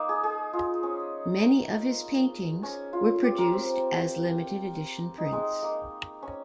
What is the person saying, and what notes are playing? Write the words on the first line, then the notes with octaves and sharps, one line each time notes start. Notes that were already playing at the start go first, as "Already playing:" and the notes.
Many of his paintings were produced as limited-edition prints.
Already playing: A#3 D#4
G#4
G#4
F4
C#4
C#4
F4
G4
A#4
C4
D#4
G#3
A#3
C#4